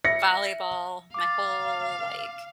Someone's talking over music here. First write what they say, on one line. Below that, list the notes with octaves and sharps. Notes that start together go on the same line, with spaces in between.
volleyball my whole, like,
E5 A#6 C#7
F5 D6 A6